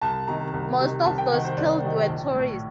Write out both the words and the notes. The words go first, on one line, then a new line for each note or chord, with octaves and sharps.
Most of those killed were tourists.
C2 A5
C3 D#3 A#5
C2
C3 D#3
C2 A5
G5
C3 D#3 F#5
C5
C2 D5
C3 D#3
A#1
A2